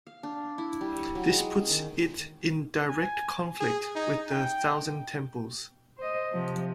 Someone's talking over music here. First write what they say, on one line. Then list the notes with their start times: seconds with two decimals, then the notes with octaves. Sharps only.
This puts it in direct conflict with the Thousand Temples.
0.07 F5
0.23 D4
0.58 E4
0.81 G3
0.99 C#5
1.15 F#3
1.30 G#3
1.55 C#4
1.70 D#3
2.89 G#5
3.61 G#4
3.96 D#4
4.31 G5
5.98 C5 D#5
6.33 C3 F3